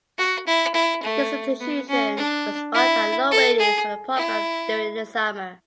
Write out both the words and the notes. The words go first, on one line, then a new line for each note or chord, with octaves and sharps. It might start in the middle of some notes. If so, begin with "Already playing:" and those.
This substitution was marked by low ratings for the program during the summer.
F#4
E4
E4
A3
B3
C#4
D4
E4
A4
G#4
E4